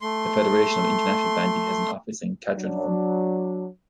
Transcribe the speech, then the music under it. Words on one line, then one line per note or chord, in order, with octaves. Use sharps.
The Federation of International Bandy has an office in Katrineholm.
A3 C6
F#3 D4